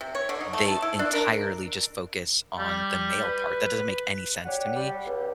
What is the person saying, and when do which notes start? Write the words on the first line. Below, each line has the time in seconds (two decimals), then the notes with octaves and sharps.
they entirely just focus on the male part. That doesn't make any sense to me.
0.01 C3
0.15 C#5
0.29 D3
0.40 D#4
0.53 A3
0.68 A5
0.82 E4
0.99 D4
1.13 A#4
2.59 G3
3.23 B4
4.46 D4 G4 C#5 F#5
4.76 G3
5.06 C#2